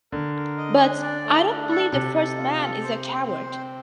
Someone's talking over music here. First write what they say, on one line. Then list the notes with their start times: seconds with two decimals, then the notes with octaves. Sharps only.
But I don’t believe the first man is a coward.
0.12 D3 A#4
0.35 A#4
0.58 D#5
0.80 D4
1.02 D5
1.25 A3
1.48 D4
1.70 A4
1.92 C3 A4
2.15 A4
2.37 F4
2.60 A4
2.83 C5
3.05 C4
3.27 C5
3.50 C4